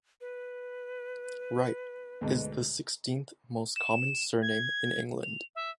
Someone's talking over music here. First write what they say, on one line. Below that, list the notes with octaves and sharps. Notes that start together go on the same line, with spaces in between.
"Wright" is the sixteenth most common surname in England.
B4
D2 G#2 B2
E7
G#6
F7
E5